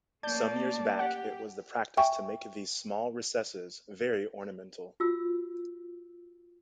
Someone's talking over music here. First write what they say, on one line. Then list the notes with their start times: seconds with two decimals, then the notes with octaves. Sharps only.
Some years back it was the practice to make these small recesses very ornamental.
0.23 A3 A#3 C#4 D5 A5 G6
0.99 G4 F#5
1.97 E5 G5 G#5 C#6
5.00 F4 F#4 E6